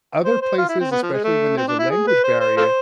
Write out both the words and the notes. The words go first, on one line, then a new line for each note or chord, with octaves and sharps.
other places, especially when there's a language barrier,
C5
C5
F4
E4
C4
B3
F3
G#3
A3
C4
D4
E4
G#4
B4
C5
C5
F4 A4 C5